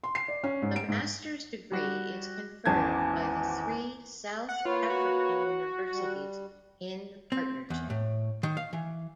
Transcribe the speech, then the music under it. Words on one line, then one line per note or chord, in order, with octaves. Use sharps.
The master's degree is conferred by the three South African universities in the partnership.
C6
C7
D5
C#4
G#2
D7
G#2
G3 F#4
G#1 E2 C#4 A5 G#6
F#5
A#3 F4 B4 C#5
F#4
G3
C4
E2
A2
D#3
F5
E3